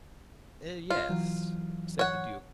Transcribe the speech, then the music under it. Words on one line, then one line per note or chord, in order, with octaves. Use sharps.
"Yes," said the Duke.
F4
E3 F#3
C#5 F#5